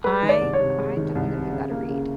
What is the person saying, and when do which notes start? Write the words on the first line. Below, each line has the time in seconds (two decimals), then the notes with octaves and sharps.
I I'm definitely gonna give that a read.
0.04 G#3 B4
0.23 D#3
0.29 D5
0.41 C2
0.53 C#5
0.60 C3
0.78 G#3
0.97 D#3
1.15 C2
1.33 C3
1.52 C#3
1.71 A#3
1.89 C#3